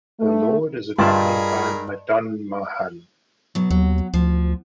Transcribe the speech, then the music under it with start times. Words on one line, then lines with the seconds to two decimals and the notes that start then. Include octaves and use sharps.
The Lord is accompanied by Madanmohan.
0.20 A3
0.99 G2 F4 G#4 A#4 D5 D#5 A5 B5
3.55 B2 F#3
3.71 D#2 F#3
4.14 D2 F3